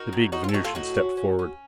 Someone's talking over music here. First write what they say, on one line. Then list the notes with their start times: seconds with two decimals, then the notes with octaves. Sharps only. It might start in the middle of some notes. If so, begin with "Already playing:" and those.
The big Venusian stepped forward.
Already playing: D#4 F#4 A#4
0.13 A2
0.32 A2 D#4 F#4
0.44 F4
0.49 A4
0.54 A2 D#4 F#4
0.64 F4 A4
0.75 F#3 D#4 F#4
0.96 C#4
1.17 C#4
1.39 C#4